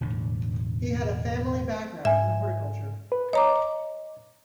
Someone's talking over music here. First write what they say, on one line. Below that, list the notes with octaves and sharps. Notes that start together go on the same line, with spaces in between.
He had a family background in horticulture.
E1 A2 D3
G#2 E5 G#5
B4
C#5 D#5 A#5 D6